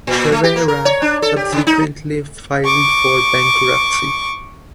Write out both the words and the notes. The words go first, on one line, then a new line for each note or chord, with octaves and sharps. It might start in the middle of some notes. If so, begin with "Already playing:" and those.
Ceverha subsequently filed for bankruptcy.
A#2
A3
G4
A#3
A#4
C#5
D4
A4
G4
C#3
D#4
C#6 D6